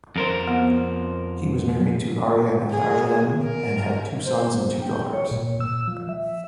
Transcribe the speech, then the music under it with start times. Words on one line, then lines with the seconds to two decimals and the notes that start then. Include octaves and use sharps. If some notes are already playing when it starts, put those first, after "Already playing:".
He was married to Arya Antharjanam and had two sons and two daughters.
0.16 F2 A#4 C5
0.47 B3
2.71 G#4
3.42 A#4
4.25 C5
4.82 G5
5.13 C#5
5.31 A#2
5.60 E6
5.87 F3
6.09 E5